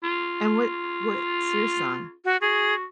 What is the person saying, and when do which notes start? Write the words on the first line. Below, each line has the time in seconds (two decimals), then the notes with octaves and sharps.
And what what's your song?
0.03 F4
2.25 F#4
2.41 F#4 G#4